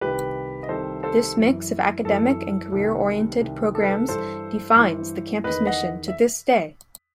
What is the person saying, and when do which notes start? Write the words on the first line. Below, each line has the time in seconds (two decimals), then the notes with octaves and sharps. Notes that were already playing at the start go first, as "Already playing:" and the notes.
This mix of academic and career-oriented programs defines the campus mission to this day.
0.01 C2 C3 D#3 G4 B4
0.63 D#5
0.69 C2 C3 D#3 A4 C5
1.03 A4 C5
1.37 F#2 E3
2.05 F#2 E3 A4
2.72 C2 C3 D#3
3.41 C2 C3 D#3 G4
3.75 A4
3.82 B4
3.90 A4
4.08 G2 E3 A4 C5
4.76 G2 E3
5.44 E2 D#3 B4 D#5
5.67 D#5 F#5
6.08 E5